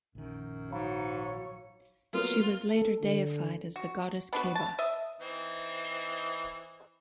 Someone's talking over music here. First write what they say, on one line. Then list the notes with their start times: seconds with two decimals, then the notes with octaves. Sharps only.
She was later deified as the goddess Kheba.
0.15 A#1 F#2 D#3
0.72 G#2 F#3 C#5 F5 A#5 B5
2.13 F#3 A#3 B3 F4
2.68 A4
3.00 D3
3.76 F#4
4.33 B3 D4 F#4 B4
4.55 A5
4.79 D#5 E5
5.21 E3 C4 D#4